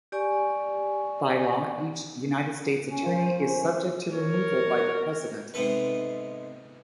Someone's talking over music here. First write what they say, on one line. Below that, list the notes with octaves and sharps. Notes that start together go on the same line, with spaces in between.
By law, each United States attorney is subject to removal by the President.
G4 D5 G#5 C#6
C#4
F4 A#4 C5
C#4
A#4 C#5
G#2 C3 B3 A4 B4